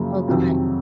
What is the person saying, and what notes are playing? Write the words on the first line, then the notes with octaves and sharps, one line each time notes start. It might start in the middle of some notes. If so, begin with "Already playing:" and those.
Oh, go ahead.
Already playing: F#2 C#3 F3 A#3
F2 C3 D#3 F#3 C4